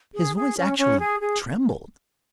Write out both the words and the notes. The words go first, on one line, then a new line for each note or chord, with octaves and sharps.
His voice actually trembled.
G#4
G#4
C#4
C#4
G#4
G#4